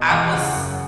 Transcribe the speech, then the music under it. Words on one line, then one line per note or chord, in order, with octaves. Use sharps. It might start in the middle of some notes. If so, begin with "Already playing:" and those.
I was,
Already playing: B2
E2 F5
C#3 F#5
F#2